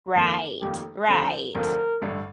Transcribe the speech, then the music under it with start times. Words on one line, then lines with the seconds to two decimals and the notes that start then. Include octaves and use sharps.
Right, right.
0.15 F1 F2 D#3 A#3
0.62 F1 F2 D#3 A#3 G4
1.08 F1 D#2 D3 F3 C4 A4
1.55 F1 D#2 D3 F3 C4 A#4
2.01 A1 G2 D3 A3